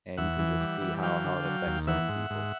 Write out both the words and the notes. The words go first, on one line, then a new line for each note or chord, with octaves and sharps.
and you can just see how how it affects certain people.
E2 E5 F#5
E3
G3
E3
F#3 F5 G5
D3
F#3
D#2
E3 E5 F#5
G#2
G#2